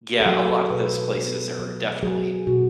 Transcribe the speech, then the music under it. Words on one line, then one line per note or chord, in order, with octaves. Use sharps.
yeah, a lot of those places are definitely,
A4
F#3 G#4
A4
B2 B4
A4
B3
F#3
F#3 G#4
B2 F#4